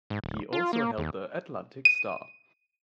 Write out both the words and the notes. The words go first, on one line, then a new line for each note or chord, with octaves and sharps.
He also held the "Atlantic Star".
G#2
D1
F4
A#3
D#2
D#7